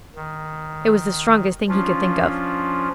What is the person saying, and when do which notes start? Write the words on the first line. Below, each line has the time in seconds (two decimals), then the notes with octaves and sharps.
It was the strongest thing he could think of.
0.15 D#3
1.69 F3 C#4 D4 F4